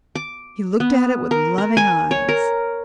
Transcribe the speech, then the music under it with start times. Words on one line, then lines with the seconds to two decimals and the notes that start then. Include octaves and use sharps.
He looked at it with loving eyes.
0.15 D6
0.80 B3
1.31 A#4
1.58 A#4
1.77 G#5
2.11 C#5
2.29 A#4